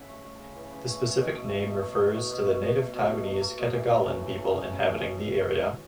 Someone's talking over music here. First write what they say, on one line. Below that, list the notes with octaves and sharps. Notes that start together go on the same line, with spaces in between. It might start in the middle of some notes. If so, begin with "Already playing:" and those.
The specific name refers to the native Taiwanese Ketagalan people inhabiting the area.
Already playing: C#3 E5 F#5
A3 A5
A3
C#3 A5
E3
C#3
A3
A3
B2
A3
A3
B2
A3
B2
B2
B2
B2
B2
A3
B2
B2
A3
A3
B2
E3
A3
C#3
E3
A3
C#3
C#3
A3
B2